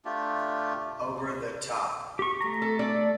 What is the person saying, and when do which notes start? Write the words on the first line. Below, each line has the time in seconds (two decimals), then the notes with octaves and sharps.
Over the Top!
0.05 A3 D4 F4 G4
2.19 G4 C#6
2.41 A3 A#5
2.62 A4
2.79 D4 A4 D5